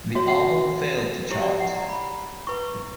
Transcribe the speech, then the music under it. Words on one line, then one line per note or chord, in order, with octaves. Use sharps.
The album failed to chart.
F#4 C#5 E5
F#5
E5
E4 G4 C#5
D5
E5
F#5
A#5
B5
E4 B4 C#6